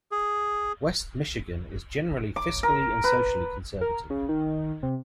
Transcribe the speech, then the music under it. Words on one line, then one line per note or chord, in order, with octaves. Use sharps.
West Michigan is generally fiscally and socially conservative.
G#4
D6
A#4
B4
A#4
C#3
D#3
C3